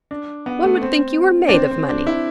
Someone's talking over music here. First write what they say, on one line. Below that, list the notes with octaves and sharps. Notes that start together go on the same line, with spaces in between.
One would think you were made of money.'
D4
B3
A3
C4
D4
C4
C4
D4
E4